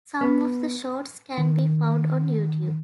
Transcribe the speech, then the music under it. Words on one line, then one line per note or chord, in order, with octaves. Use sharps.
Some of the shorts can be found on YouTube.
B3
D#3